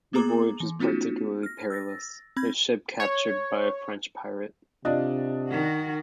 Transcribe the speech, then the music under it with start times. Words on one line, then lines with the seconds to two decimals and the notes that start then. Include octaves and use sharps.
The voyage was particularly perilous, his ship captured by a French pirate.
0.13 A#3 B3 G#4 A#5 D6
0.60 E3
0.79 A3 B3 C#4 D#4 F4 F#4
1.43 F6 A#6
1.70 E6 A6 A#6
2.37 C4 B5 G6 G#6
3.00 C#5
4.85 C3 D4 F4 D5 D#5
5.49 D#3 F#4